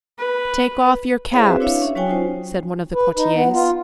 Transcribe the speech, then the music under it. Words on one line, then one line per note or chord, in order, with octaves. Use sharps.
'Take off your caps,' said one of the courtiers.
B4
E4 G#4 C5 C#5 F5
C4 F#4 B4 E5
D4 E4 C#5 E5 F5
C#4
F#3 C#4 F#4 C#5 G5 G#5
C#4 D#4 F4 C5
B4
D#4
B3
F4